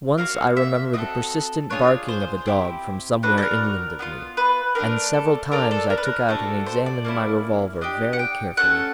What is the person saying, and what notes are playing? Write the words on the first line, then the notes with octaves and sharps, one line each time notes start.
Once I remember the persistent barking of a dog from somewhere inland of me, and several times I took out and examined my revolver very carefully.
A#3 D#4 F#4 F5
E5
C4 D#4 F#4 A4 D#5
D4 F4 G#4 C#5
C5
C4 E4 G4
D4 F#4 A4 B4
A4
A#4
B3 D4 F4
B4
A3 D4 G4 A#4
A4
D4 F4 A4 A#4
A4
A#4
B4
A#4
A3 D4 F#4 A4
C5
D5
A#3 C#4 E4
D4 G4 D#5
F#5
G5
A3 C#4 F#4 A4 F#5